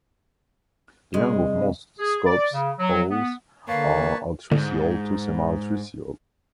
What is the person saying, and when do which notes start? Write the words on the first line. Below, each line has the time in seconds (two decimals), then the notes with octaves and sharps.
The young of most scops owls are altricial to semialtricial.
1.14 C2 G#3
1.99 G#4
2.27 D5
2.53 C#3
2.78 F#3
3.10 B3
3.68 D3 A#3 B4 C#5 F5 A5
4.52 F2 G#2 D3